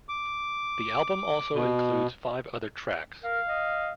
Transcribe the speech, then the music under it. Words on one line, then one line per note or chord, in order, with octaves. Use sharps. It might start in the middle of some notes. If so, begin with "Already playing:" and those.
The album also includes five other tracks.
D6
B2
A#4 F5
D#5